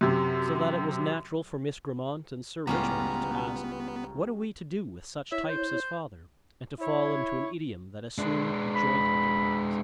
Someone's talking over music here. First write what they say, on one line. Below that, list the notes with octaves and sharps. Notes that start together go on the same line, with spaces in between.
So that it was natural for Miss Grammont and Sir Richmond to ask: "What are we to do with such types as father?" and to fall into an idiom that assumed a joint enterprise.
F#2 C3
C#2 A2 G3 B3 C#4 F4 A#5
E4 C#5 E5
C5
E4 C#5
G#3 D4
B5